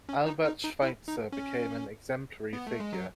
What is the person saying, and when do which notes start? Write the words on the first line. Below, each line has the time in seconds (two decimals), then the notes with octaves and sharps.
Albert Schweitzer became an exemplary figure.
0.09 C#4
0.26 D#4
0.46 D#4
0.63 D#4
0.82 E4
1.08 D#4
1.32 C#4
2.53 B3
2.67 A3
2.80 G#3
2.93 F#3